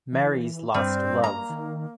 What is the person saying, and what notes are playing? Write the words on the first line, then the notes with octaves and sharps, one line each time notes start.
Mary's lost love.
E3
G2 G3 C4
A#3 A#5
D#3